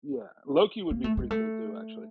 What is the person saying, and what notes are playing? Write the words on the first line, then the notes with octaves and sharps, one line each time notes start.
Yeah, Loki would be pretty cool too, actually.
A#3
A3
G#3
A3